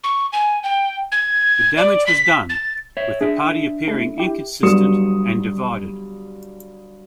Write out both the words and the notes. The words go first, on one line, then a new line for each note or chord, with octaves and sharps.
The damage was done, with the party appearing inconsistent and divided.
C#6
G#5
G5
G#6
D5
B6
A6
C#5 E5
D4 G#4 E5
G#3 A3 E4
E4 G4
G1 F#3 G3 D#6 C#7 E7